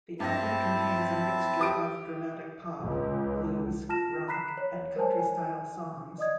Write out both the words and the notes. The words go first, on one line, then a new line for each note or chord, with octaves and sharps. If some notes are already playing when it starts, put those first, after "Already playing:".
The album contains a mixture of dramatic pop, blues, rock, and country style songs.
G2 C4 E4 A5 A#6
G4 D#6 D7
C#2
F4 A5 F6 A#6 E7
A#5 B5 F#6 B6 C7 E7
C#5
A#4 C5 C#5 G#5 A5
G#5
D5 D#5 D#6 G#6